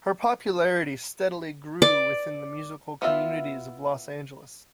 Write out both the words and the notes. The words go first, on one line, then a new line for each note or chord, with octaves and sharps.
Her popularity steadily grew within the musical communities of Los Angeles.
D5
B3 E4 F4 A4 E5